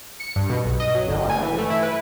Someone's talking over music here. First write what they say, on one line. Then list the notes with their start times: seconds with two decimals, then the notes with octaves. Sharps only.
No, I haven't.
0.20 C#7
0.36 G2
0.50 B2
0.65 B1
0.80 D#5
0.95 F#3
1.08 G1
1.30 G#5
1.43 E3
1.58 A3
1.70 E4
1.83 B4